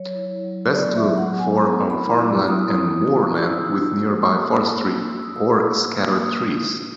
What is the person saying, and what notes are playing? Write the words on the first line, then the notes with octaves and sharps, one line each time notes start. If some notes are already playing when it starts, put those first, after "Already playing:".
Best looked for on farmland and moorland with nearby forestry or scattered trees.
Already playing: F#3 C#5
E4
F#3
B3 D5
E5
F#3
F#5
B3
G#5
B3 A#5
E4 B5
F#3 D6
E4 D#6
B3
E4
F#4 E6
D#6
E6
D#4
A#3
D#4 D#6
A#3 D6
D#4 E6
F#4 E6
D#6
F#4 E6
A#3
A#3 D#6
F#4
D#4